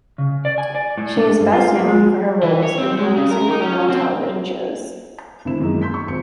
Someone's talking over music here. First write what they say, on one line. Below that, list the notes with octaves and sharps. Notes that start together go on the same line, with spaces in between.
She is best known for her roles in police and criminal television shows.
C#3
D5
G#5
D5
A2
D4
G2
F4
A#3
G#3
E3
C#5
C4
G#3
C#3
A#4
D#4
C#4
C4
G#1 D3 C4 E4 E7
F#2 D#3 E3 G#3 A#3 D#4
C6 G6 B6
C#6
D#1 G#1 C#7